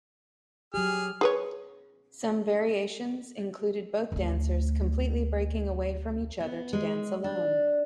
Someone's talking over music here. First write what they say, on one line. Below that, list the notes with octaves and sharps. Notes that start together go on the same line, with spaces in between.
Some variations included both dancers completely breaking away from each other to dance 'alone'.
F#3 G4 G#4 F6
G#4 B4 C#5
D2 A3
B3
G#3
D4